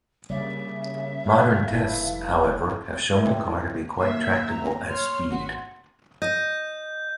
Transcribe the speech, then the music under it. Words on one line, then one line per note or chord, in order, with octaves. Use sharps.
Modern tests, however, have shown the car to be quite tractable at speed.
C#3 G3 A#3 D5 E5
F5
F1 E4 A4 B4
E4 F#4 G#4 A#4 D5 E5
D#4 F#4 B4 D#5 G5 A#5
D#4 E4 F#4 A4
D#2 E5 F5
A#5
C#5 C6 F6
G#1 F#4
D#5 G6